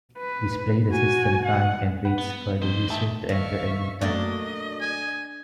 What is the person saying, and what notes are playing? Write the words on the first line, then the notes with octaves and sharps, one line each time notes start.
Display the system time and waits for the user to enter a new time.
B4
F#4 G#5
F#5
B4 F#5
B3
F2 B4 C5
D#3 G#3 E5 A5
D#3 E5 F5 C#6
F#3 A3 A#3 D4 D#5
G#5